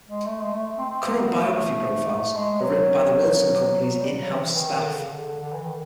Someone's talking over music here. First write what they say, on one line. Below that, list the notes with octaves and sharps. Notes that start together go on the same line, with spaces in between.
"Current Biography" profiles are written by the Wilson Company's in-house staff.
G#3
A3
G#3
A3
C4
C4
B3
A3
G#3
F#3
F#3
G3
F#3
E3
D#3
D3
C#3
D3
D3
D3
E3
D#3